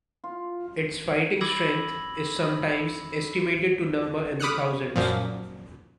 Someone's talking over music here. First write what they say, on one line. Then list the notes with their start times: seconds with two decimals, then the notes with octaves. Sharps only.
Its fighting strength is "sometimes estimated to number in the thousands".
0.24 F4
1.41 B5 D6 E6 G#6 A#6 F#7
4.40 B5 D6 D#6 F6 F#6 C#7
4.96 F#2 A#2 F3